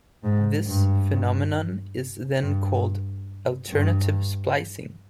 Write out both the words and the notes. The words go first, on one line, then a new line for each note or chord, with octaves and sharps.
This phenomenon is then called alternative splicing.
G#2
G2
G2
G2